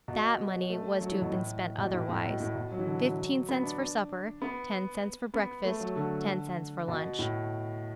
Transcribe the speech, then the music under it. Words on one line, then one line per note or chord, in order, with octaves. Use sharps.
That money was to have been spent otherwise--fifteen cents for supper, ten cents for breakfast, ten cents for lunch.
B2
A3
F#3
E3
B2
A2
B2
A2
A2
B2
A2
B2
F#3
E3
D3
F#3
B3
D4
B3
B3
A3
F#3
D3
B2
A2